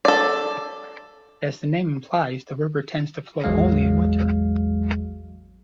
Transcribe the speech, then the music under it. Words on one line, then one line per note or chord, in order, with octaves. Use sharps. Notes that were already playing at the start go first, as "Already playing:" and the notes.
As the name implies, the river tends to flow only in winter.
A4 D5
A1 E2 F#3 G#3 F5